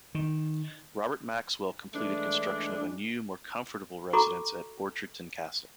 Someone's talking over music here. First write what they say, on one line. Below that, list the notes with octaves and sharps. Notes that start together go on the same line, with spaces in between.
Robert Maxwell completed construction of a new, more comfortable residence at Orchardton Castle.
D#3
E3 G#3 A3 D4
F#4 A4 A#5 B5 C#6 D6